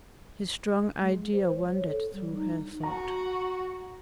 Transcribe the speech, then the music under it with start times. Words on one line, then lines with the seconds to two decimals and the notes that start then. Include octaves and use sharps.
'His strong idea wandered through her thought.'
1.00 G#3
1.33 C5
1.56 C#5
1.86 A4
2.13 G3
2.35 D#4
2.83 F#4 A#5